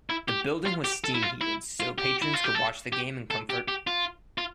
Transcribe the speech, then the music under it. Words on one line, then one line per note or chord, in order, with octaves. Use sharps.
The building was steam heated so patrons could watch the game in comfort.
E4
G4
F4
G4
A4
E4
F4
E4
F4
G4
E4
F4
G4
A4
G4
A4
G4
G4
F4
F4